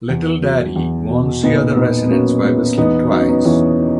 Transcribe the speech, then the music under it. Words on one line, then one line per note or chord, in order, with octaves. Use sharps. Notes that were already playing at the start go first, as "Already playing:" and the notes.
Little Daddy warns the other residents by whistling twice.
E2
F#3
E2
B2
A#2 B3 D#4
A#2 B3 D#4
B3
F#3 A#3 C#4
F#3 B3
E2 B3 D#4
F#3 D#4
C#4
B3 D#4
E2 C#4 E4
D#3